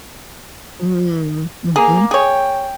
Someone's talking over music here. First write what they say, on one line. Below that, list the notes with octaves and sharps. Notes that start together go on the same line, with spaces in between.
Mm, mhm.
A#3 G#4
G#4 C#5 G5